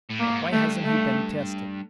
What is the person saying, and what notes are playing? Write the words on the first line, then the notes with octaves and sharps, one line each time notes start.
Why hasn't he been tested?
A2
G2 A#3
G#2
G2 A3
A3